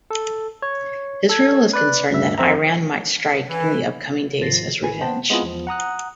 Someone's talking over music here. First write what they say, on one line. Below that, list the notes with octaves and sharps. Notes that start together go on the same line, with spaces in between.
Israel is concerned that Iran might strike in the upcoming days as revenge.
A4
C#5
A4 G#6
B4 D5 F#6
D2 G2 E5
F2 C4 E5 A#5
E3
G#1 F3 A6 A#6 C7
A1 D#3 E3 G#5
B3 C5 G5 A5
G#3 B3 C4 E4 F4 G#4
E2 F3
F#5 A#5 D#6 F#6